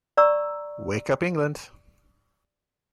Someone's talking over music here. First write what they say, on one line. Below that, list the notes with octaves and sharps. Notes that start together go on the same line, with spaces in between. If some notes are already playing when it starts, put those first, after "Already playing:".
Wake up England!
D5 A#5 C#6 E6